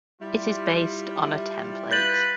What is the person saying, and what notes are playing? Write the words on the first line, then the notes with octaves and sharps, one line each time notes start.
It is based on a template.
G3 E4 F4
B4 G6 A6 F#7